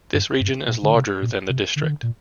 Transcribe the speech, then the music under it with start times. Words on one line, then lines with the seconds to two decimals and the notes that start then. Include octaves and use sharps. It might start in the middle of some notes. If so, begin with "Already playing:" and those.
This region is larger than the district.
0.13 G2
0.40 G2
0.68 A#2
0.83 D3
0.94 C3
1.22 A#2
1.49 C3
1.76 D3
1.83 D#3
1.89 D3
2.03 A#2